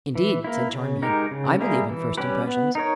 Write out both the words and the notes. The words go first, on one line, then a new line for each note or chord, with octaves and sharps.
"Indeed," said Charmian, "I believe in first impressions."
E3
A#3 E4
C#3
G#3 D#4 G4 A#4
C#3
G3 A#3 E4 G#4
E3
G3 C#4 G4 B4
B3
D#4 A#4 C#5